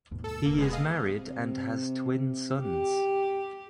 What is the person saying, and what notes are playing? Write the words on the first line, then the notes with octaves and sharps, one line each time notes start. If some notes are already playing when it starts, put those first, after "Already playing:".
He is married and has twin sons.
D#2 G#2 B2
A4 E6
D#1 C3 A#3
G#3 B3 G#4
D#5 F5
C3
G4